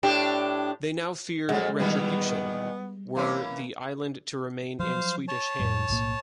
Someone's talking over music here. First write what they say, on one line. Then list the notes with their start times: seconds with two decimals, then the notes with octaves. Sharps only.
They now feared retribution, were the island to remain in Swedish hands.
0.03 A2 D4 G4
1.49 F2 A#2 F#3 G#3 F#5
1.80 A#2 D#3 E3 G3 B3
3.16 E3 A#3 C#4
4.80 F3 F#3 C5 F5
5.28 C#5 A5
5.60 F2 A2 G3
5.89 B1 A2 A#3